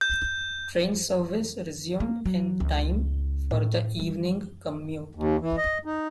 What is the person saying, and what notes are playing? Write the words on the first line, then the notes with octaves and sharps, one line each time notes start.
Train service resumed in time for the evening commute.
G6
A#3
F#3
C#2
A2
G3
D#2
E3
D#5
D#4